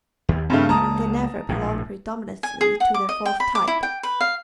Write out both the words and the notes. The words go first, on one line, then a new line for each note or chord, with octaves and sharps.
They never belong predominately to the fourth type.
D#2
G2 C#3 A3 C4
C#2 G#3 A#3 A5 A#5 D#6
A#1 A2
G#5
G#4
F#5
D6
D#5
G5
B5
D6
E4
G5
B4
F5